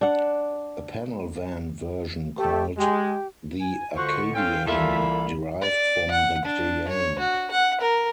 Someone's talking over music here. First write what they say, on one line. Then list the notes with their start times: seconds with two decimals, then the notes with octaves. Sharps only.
A panel van version called the Acadiane derived from the Dyane.
0.01 D4 F#5
2.38 A3 G4
2.78 G#3 G4
3.60 G#5
3.96 C#2 D3 F4 F#4 C5 C#6
4.34 C4 C#4 A4 F5 G5
4.66 C2 E3 A#3 F4 A4 E5 B5
5.62 D5
6.11 F#5
6.45 D4
6.88 C#5
7.19 F#4
7.51 F#5
7.81 A#4